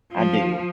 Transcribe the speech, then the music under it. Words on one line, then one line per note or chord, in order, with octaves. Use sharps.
I do.
F3